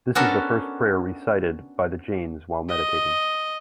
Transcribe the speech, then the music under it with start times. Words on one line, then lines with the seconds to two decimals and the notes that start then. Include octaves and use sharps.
This is the first prayer recited by the Jains while meditating.
0.15 B3 C#4 D4 F#4 A4 A#4
2.69 D#5